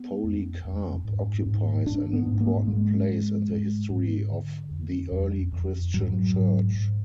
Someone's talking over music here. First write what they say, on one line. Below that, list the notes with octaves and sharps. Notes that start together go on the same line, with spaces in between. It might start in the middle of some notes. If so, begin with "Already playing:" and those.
Polycarp occupies an important place in the history of the early Christian Church.
Already playing: B3
F2
F2
G#2
G#2
G#2 D4
B3
G#2
B3
A#3
G#2 G#3
G#2
G#2
G#2
D3
F2
F2
F2
G#2 F#3
G#2
G#2